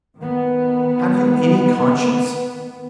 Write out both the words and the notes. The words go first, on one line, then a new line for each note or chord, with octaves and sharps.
Have you any conscience?
D#3 B3